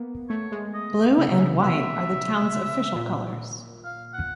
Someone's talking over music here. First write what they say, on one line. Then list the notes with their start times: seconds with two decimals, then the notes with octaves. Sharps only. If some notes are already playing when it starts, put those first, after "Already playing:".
Blue and white are the town's official colours.
Already playing: A#3 B3
0.29 A3 C#5
0.52 G#3
0.74 D#5
1.18 C#3 E5
1.28 C3
1.38 C#3
1.63 B2 E5
2.96 A#2
3.85 F5
4.14 F#5